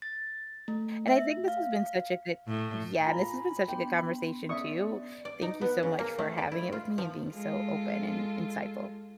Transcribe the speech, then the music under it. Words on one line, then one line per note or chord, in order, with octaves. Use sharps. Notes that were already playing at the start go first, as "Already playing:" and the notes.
and I think this has been such a good Yeah, this has been such a good conversation too, thank you so much for having it with me and being so open and insightful.
A6
A3
E5
F5
A2
F4 G#5 A#5 B5
B3 D4 G5 C6
C#4 D5 E5 C#6 D#6
D5
D#4
B3
C#3
A#3
A3
D5
E4
F4
F3
G#3 F4 A4